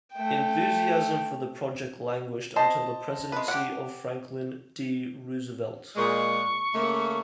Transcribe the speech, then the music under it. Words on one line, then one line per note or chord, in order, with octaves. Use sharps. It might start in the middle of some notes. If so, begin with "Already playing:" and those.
Enthusiasm for the project languished until the presidency of Franklin D. Roosevelt.
A3 G5
C5 D#5 A5
G#3 B4
G4 F#5
A#2 G#3 C#6
C#3 A3 A#3